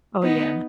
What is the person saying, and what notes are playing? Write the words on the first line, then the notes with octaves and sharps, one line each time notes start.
Oh, yeah.
B3 D#4